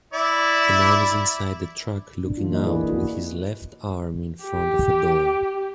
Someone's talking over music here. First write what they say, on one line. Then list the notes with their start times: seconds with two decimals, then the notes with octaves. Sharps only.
A man is inside a truck looking out with his left arm in front of a door.
0.13 E4 D5
2.24 D4
2.38 E3 F4
2.51 A#3 D#5
2.64 D4 E4 G#4 B4 D5
2.90 F#4
4.43 G4